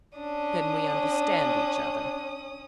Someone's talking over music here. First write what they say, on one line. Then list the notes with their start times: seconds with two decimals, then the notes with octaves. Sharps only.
"Then we understand each other."
0.18 C#4 D4 D#6